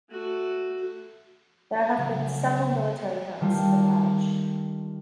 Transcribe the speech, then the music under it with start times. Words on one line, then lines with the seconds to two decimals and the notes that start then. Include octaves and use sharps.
There have been several military camps in the parish.
0.10 A3 F#4
1.97 C#3 F#3 C4
3.41 D#3 G3 A3 F4